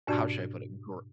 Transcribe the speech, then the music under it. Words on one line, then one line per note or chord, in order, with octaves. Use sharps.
how should I put it? Gr
G#2 B2 D4 F#4 D5 A5